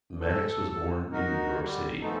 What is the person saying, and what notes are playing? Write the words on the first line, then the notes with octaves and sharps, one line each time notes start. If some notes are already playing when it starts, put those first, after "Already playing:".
Mannix was born in New York City.
A4
D#4 F#4 A#4
D3 G3
F3 G#3 A3 B3 D#4 A4